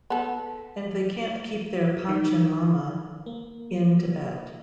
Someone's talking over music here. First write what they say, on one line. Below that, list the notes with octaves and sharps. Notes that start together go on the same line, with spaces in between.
And they can't keep their Panchen Lama in Tibet.
B3 A4
D#3
A#3